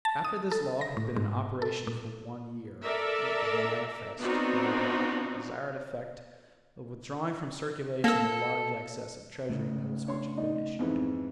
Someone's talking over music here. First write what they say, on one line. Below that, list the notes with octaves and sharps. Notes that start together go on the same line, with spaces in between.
After this law had been in operation for one year, it was manifest that it had the desired effect of withdrawing from circulation the large excess of Treasury notes which had been issued.
A5
D#6
A4
A#6
A2
G#2
A4
A#2
A4 A#4 D5 E5
B3 C4 D4 D#4 F4 F#4
A#3 A4 E6
C#3 A3
D4 C#5 C6
D#4 D5 D#5
F2 G#2 E3